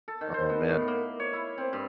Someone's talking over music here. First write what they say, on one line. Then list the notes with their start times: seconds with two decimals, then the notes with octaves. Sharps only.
Oh, man.
0.08 A4
0.21 D#3
0.34 C5
0.49 B3
0.69 A2
0.88 A#3
1.20 C#5
1.33 E4
1.58 C4
1.73 G2